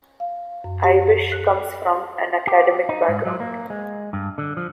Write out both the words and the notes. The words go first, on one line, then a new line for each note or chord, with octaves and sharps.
Ibish comes from an academic background.
F5
F#2
G4
F#6
G4
D#4
G#2
F#3
A#3
G#3
G2
D3
F3